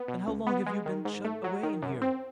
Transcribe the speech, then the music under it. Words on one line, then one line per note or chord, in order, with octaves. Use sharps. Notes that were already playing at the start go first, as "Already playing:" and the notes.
"And how long have you been shut away in here?"
Already playing: B3
B2
C#2
B3
G#3
D#3
G#2
A3
F#3
D#3
F#2
C4